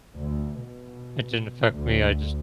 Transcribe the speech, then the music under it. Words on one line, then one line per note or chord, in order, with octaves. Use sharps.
it didn't affect me, I just,
D2
B2
D2